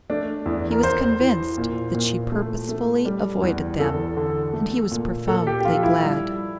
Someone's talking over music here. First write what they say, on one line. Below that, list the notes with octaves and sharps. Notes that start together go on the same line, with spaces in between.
He was convinced that she purposely avoided them and he was profoundly glad.
A3 D4
E2
A#4
E2 C5
E3
A#2
A#2
A3
A3
G3
E2
E2 A4
D3
A3
A#2
A#2 A4
G4
G4
F3 F4
E4
G3